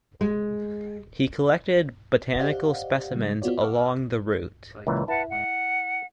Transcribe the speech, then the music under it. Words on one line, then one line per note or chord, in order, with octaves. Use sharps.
He collected botanical specimens along the route.
G#3
G4 C5 D5 D#5 F5 F#5
C#3 G3
B3 F4 F#4 C#5 D5
F5 F#5 C#6 D6 E6 F6
C#2 A#2 E3
E4 B4 F#5 A5
F#5